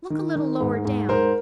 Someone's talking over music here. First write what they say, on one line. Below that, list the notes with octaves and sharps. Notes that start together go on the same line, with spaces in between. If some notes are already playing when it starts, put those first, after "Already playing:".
"Look a little lower down."
D#3
D#3
G#2
G#2
G#2 A#4 C5